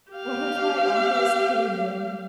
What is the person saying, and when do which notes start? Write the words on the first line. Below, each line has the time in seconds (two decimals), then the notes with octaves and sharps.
one of my uncles came in
0.12 G4 F5